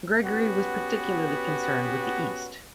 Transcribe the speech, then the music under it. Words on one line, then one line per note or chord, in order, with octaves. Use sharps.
Gregory was particularly concerned with the East.
B3 C#4 F#4 G4 B4